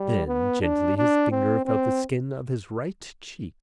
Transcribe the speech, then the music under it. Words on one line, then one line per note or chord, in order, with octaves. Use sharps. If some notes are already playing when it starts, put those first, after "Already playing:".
Then gently his finger felt the skin of his right cheek.
Already playing: G3
B3
D4
D4
C4
C4